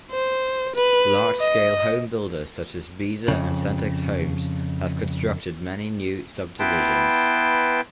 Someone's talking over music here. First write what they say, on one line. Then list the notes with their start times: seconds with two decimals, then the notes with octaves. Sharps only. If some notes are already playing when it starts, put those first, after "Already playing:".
Large-scale home builders such as Beazer and Centex Homes have constructed many new subdivisions.
0.12 C5
0.76 B4
1.40 D#5
3.28 F2 C#3
6.59 B3 E4 B4 G5 A5 C6